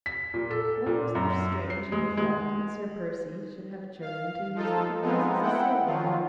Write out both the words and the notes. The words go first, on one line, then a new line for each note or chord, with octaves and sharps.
What was there strange in the fact that Sir Percy should have chosen to use the device as a seal-ring?
B6
A#2
A4
A#2
F#2
C7
G#3
G#3
F5
F3 D#4 F4 A4
F3 G#3 B3 C4 D#4 F4
E4 F#5 G5
D#3 F3 F#3 F4